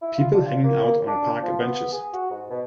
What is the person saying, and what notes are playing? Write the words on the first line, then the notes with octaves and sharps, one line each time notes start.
People hanging out on park benches.
E4
F4
D3
F4
A#3
D4
F3
B3
G#4
F#4
G#2
B2